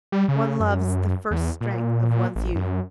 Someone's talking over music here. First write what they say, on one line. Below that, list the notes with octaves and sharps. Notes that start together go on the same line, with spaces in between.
One loves the first strength of one's youth.
G3
C#3
F#2
E2
A#2
A#2
A1
F#2